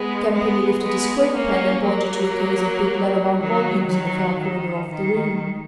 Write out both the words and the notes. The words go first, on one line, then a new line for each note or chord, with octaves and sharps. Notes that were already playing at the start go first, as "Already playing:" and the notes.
Campany lifted his quill pen and pointed to a case of big leather-bound volumes in a far corner of the room.
Already playing: G#3 B3
G#3 B3
G#3 B3
A#3 C#4
F#3 A#3
D#3 F#3
D#3 F#3
D#3
D#3